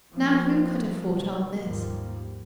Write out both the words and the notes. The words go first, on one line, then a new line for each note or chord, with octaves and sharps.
Now who could have foretold this?
E3 F3 A#3 C4 C#4
B2 D#3 F#3 G3 B3
D#2 G#2 F3 G3 A#3